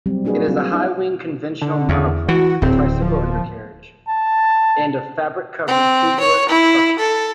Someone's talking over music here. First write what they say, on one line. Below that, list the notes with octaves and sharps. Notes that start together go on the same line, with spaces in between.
It is a high-wing conventional monoplane with tricycle undercarriage, and of fabric-covered tubular construction.
F#3 G3 C4 G4
A#3 D4 F#4 G#4 B4 D#5
F#3 G3 C4 F4 F#4
D4 E4
D3
E2
E3 F#4
D1 C4
F3
A5
C4
C#5
E4
A4